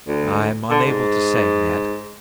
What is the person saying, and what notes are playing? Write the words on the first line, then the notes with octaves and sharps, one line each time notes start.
"I'm unable to say, Ned."
D2
D3
G#2